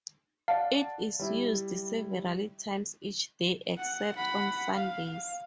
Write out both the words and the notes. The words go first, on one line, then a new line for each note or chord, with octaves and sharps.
It is used several times each day except on Sundays.
D5 F5 F#5 A5
G3 E4
F#5
F#5 B5
F5